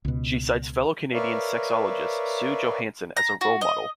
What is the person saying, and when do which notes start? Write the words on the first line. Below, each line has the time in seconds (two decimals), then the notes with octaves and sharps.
She cites fellow Canadian sexologist Sue Johanson as a role model.
0.05 C#2 B2
1.13 A#4 B4 C#5 D5 E5 F5
3.17 A#5
3.41 F#4
3.61 D#5